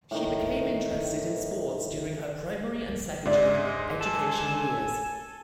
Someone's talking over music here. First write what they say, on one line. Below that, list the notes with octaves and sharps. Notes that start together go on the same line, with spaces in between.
She became interested in sports during her primary and secondary educational years.
A2 D#3
G#2 G#3 C#5 D5 E5
A4 G#5